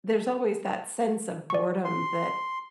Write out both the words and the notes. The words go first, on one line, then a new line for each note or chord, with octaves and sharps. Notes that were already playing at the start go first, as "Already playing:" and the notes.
there's always that sense of boredom that,
D5 C#6
C6